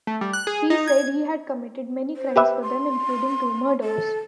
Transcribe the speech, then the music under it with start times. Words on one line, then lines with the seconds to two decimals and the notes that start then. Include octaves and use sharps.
He said he had committed many crimes for them, including two murders.
0.07 A3
0.21 G3
0.33 F#6
0.47 G#4
0.70 D#4
0.87 G#6
2.17 C5
2.36 G4 B4 E5
2.62 C6
3.83 A4